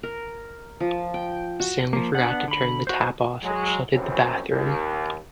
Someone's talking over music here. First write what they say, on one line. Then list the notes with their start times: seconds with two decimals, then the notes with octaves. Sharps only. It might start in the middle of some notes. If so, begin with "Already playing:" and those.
Stanley forgot to turn the tap off and flooded the bathroom.
0.03 A#4
0.80 F3
1.14 G5
1.60 F#4
1.93 F3 A#3
2.15 B3 D4 F#5
2.48 D3 B5
2.87 F#4 C5
3.43 F#3 G#3
3.93 A#1 F#2 E3 F#3 C4 C#4
4.50 D#2